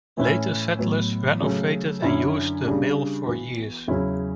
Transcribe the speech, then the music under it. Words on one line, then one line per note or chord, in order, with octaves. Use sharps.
Later settlers renovated and used the mill for years.
A2 E3 A3 C#4 E4
A2 F#3 B3
C#3 F#3 A3 C#4
F#2 D3 F#3 C#4 E4
C#3 G3 D4
E3 B3 F#4
E2 C#3 F#3 C#4 E4